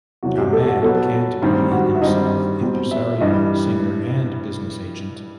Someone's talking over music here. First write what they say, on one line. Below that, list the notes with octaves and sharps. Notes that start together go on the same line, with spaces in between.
A man can't be in himself impresario, singer, and business agent.
E2 C3 F#3 F#4
G4
A4
F#4
B2 F#3 B3 A4
G2 D#3 G3 C4
F#4
E5
G2 D#3 G3 C4 D#5
B2 G3 C4
E5
G2 E3 G3 D#5